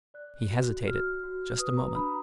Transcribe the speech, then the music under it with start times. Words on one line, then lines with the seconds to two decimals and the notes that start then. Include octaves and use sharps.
He hesitated just a moment.
0.14 D5 F#6
0.50 F#4
0.87 F#4 F6
1.23 F#4
1.58 B4 D#6
1.77 A#5
1.95 D4 B5